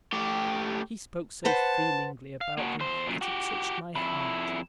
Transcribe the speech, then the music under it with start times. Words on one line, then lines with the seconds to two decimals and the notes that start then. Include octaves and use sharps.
He spoke so feelingly about them that it touched my heart.
0.13 A2 G4
1.45 B4 C5 F#5 A5
2.41 F5
2.58 A#3 F#4
2.80 E2 C5
3.07 F#2 A#2
3.21 F#4 G4
3.95 F2 E4